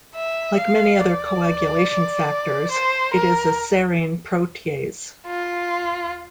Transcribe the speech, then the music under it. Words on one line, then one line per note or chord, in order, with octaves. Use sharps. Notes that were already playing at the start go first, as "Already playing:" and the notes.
Like many other coagulation factors, it is a serine protease.
E5
F5
D5
C5
A#4
F4